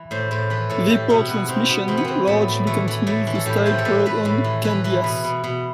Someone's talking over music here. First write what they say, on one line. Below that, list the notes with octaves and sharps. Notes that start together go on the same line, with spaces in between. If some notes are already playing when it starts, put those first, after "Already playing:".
"Vapor Transmission" largely continues the style heard on "Candyass".
Already playing: E3
A2 C5
A2 C5
E3 B4
A2 A4
A2 G4
B2 E4
B2 F#4
B2 C4
B2 B3
E3 C4
B3
E3 C4
A2 B3
A2
E3 A3
E3
A2 A3
E3
A4
A2 G4
E3 C5
A4
A2 B4
A2 B4
A2
E3
E3 B4
E3
B2 B4
B2
B2